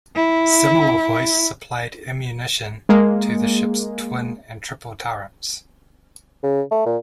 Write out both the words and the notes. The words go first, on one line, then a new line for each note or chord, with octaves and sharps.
Similar hoists supplied ammunition to the ships' twin and triple turrets.
E4
G#3 A#3
C#3
A3
A#2